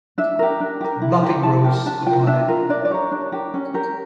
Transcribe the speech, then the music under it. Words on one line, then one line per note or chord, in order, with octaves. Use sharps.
Nothing grows upon it.
D4 E5
G4 A#4
D4
G4 A#4
E4
G4 A#4
E4 A5
G4 A#4
D4 A5
F4 A#4 G5
D4 E5
F4 A#4
D4 D5
D5
G4 A#4 C#5
D4
G4 A#4
C#4
G4 A#4